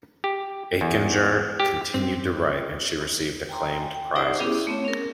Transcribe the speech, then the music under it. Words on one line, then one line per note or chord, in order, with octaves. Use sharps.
Aichinger continued to write and she received acclaimed prizes.
G4
E2
G4
C4
G5 G#5 A#5 C6
G5
D#4 G4 C5 D5 E5 F#5
B3 C#4 E4 G4 G#4 D6
A3 B3 C4 C#5
C#4 A#4